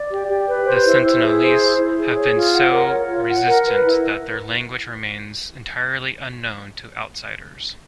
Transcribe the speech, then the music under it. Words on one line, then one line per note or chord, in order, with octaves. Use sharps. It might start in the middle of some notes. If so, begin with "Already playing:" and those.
The Sentinelese have been so resistant that their language remains entirely unknown to outsiders.
Already playing: D5
G4
G4
B4
C5
E4
E4
G#4
C5
E4
E4
G#4
C#5
F4
F#5
A#4
C#5
F4
F#5
A#4
B4
E4